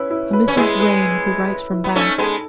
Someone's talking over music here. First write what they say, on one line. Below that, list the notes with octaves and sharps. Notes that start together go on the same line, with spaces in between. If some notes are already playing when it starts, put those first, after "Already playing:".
"A Mrs. Vrain, who writes from Bath."
Already playing: C#4 E4 B4
E4
B4
C#4
G#3 B3 E4
B4
B4
B4
B4
E4
B3
A3 C#4 D#4
G#3 B3 A4